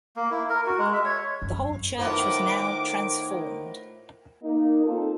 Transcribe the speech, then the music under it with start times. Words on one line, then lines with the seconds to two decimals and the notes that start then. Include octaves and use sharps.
The whole Church was now transformed.
0.16 A#3
0.31 E4
0.50 A#4
0.66 F#4
0.78 G#3
0.93 E5
1.05 C#5
1.42 F#2
1.99 A2 D#3 B3 F4 A#4 C5 B5 D6
4.43 A#3 D#4
4.84 C4 D#4 F4 A4